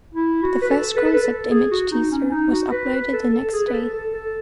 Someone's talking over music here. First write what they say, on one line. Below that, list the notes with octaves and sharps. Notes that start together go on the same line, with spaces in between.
The first concept image teaser was uploaded the next day.
E4
F#4
B4
A4
B4
A4
B4
A4
G#4
F#4
D#4
C#4
D#4
F#4
B4
B4
A4
A4
G#4
B4
A4
A4
A4